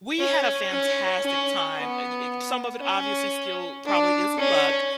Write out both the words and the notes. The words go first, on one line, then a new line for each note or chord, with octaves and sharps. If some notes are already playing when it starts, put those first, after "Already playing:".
We had a fantastic time, eh, y y some of it obviously still probably is luck,
C#4
C#4
C#4
B3
C#4
D4
C#4